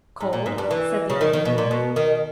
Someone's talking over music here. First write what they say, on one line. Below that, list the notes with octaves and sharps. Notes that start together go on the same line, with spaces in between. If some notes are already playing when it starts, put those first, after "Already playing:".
"Cold?" said the older man.
G#2
A#2
G#2
G2
E3
C#3
D#3
D#3
B2
A#2
B2
D#3